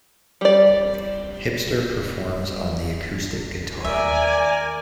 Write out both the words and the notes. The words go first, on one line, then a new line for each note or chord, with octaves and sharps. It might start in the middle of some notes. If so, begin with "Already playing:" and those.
Hipster performs on the acoustic guitar.
G3 D5
D#2 A#4 D5 E5 G#5